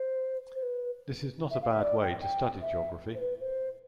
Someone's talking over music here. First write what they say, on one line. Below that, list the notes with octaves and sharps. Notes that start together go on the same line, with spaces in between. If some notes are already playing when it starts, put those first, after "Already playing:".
This is not a bad way to study geography.
Already playing: C5
C5
B4
E5
F5
E5
D5
G5
G5
E5
C5
B4
C5